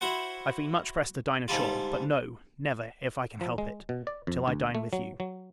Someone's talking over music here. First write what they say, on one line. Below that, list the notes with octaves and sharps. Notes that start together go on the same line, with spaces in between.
I have been much pressed to dine ashore: but, no; never, if I can help it, till I dine with you.
E4 F#4 C5 F#5
G#2 D3 G3 F4
F3
G#3
B2
D5
F2
D2
A3
F#3
F#3